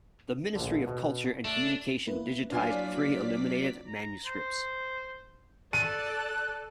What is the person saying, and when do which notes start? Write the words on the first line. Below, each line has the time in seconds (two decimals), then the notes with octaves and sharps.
The Ministry of Culture and Communication digitized three illuminated manuscripts.
0.55 A#1 D3
0.87 B2
1.45 A3 D4
2.07 A#3 E4 B4
2.50 F#3 D4 F4 D5 G#5 B6
3.87 A#5
4.26 C5
5.73 A4 D5 A5 F#6 D#7